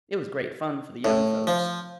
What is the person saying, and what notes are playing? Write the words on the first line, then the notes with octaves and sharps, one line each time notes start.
It was great fun for the young folks.
A2
F3